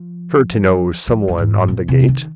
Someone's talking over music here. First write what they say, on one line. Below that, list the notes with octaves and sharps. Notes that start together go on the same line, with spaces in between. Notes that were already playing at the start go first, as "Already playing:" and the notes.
Sure to know someone on the gate.
Already playing: F3
F3
F#2
G#2
A#2
C3
D#3